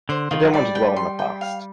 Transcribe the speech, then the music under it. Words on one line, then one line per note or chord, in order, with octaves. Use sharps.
I don't want to dwell on the past.
D3 C5
D#3 F4
F#3
G3 D5
G5
C6
G5
F5